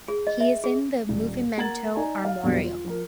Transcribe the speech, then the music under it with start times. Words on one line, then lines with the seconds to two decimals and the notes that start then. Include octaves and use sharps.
He is in the "Movimento Armorial".
0.08 G#4
0.27 D#5
0.40 E5
0.64 G#4
1.09 D#1
1.58 A#3 F#5 A#5 G#6 A6 F#7
1.96 D#4 D5 G#5 A#5
2.25 F5
2.43 E2 B2 D3 F#3 G3 A#3
2.63 F4
2.85 F3 A#4